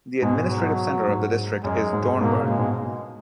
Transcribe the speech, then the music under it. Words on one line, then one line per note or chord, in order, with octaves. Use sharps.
The administrative center of the district is Dornbirn.
G#2 B2 G#3
F#3
G#2
F#2 G#3
G#2
G#2 B2 A#3
A#2 C#3
G#3
G#2 B2